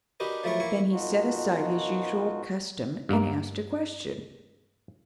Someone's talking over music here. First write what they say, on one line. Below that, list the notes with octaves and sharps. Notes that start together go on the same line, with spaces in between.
Then he set aside his usual custom and asked a question.
D4 D#4 F#4 G4 A#4 B4
F3 F#3 A3 E4 A#4 C#6
E3 A#3 E4 C#6
F#2 B2 F3 D#4 F4 F#4
G2 A#3